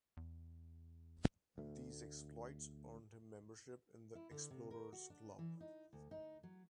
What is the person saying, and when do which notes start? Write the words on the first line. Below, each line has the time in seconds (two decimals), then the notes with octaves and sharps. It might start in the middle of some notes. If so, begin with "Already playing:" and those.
These exploits earned him membership in The Explorers Club.
0.17 E2
1.58 D2 A3
4.15 E4
4.31 D3
4.50 C3
4.71 A#4
4.92 F#4
5.10 D4
5.39 E3
5.60 D#4
5.93 D2
6.11 D#4
6.43 F#3